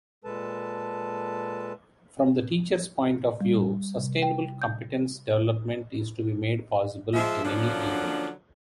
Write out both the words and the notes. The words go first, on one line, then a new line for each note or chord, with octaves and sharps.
From the teacher's point of view, sustainable competence development is to be made possible in any event.
A#2 G#3 A4 B4 A5
G3
C3
G5
G6
F3 G#3 E5
D3 F3 F#3 A#3 C#4 D4